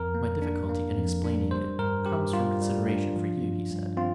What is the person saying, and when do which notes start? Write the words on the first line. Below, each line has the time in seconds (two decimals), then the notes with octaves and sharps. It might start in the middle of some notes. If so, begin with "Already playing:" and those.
"My difficulty in explaining it comes from consideration for you," he said.
Already playing: F2 A#4
0.14 A#3
0.42 D4
0.69 A#3
0.97 F2
1.24 D4
1.51 G3 C5
1.79 G2 A#4
2.05 G2 G4
2.33 G3 F4
2.61 G3
2.89 D4
3.16 F3
3.42 G2
3.71 G2
3.97 C4 F4